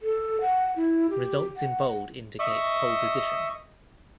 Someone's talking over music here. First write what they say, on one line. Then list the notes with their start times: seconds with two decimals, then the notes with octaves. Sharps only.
Results in bold indicate pole position.
0.01 A4
0.41 F#5
0.76 E4
1.10 G4
1.56 F#5
2.40 D#5 E5 C#6